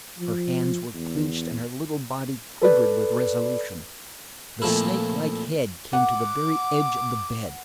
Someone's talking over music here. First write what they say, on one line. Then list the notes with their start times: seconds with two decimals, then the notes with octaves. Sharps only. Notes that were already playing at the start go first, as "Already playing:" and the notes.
Her hands were clenched and her little body quivered with resolution; the snake-like head came to the very edge of the bed.
0.19 F3
0.94 E2
2.62 A4 B4 D5
4.62 F2 A#2 F3 A3 E4
5.93 F#5 D6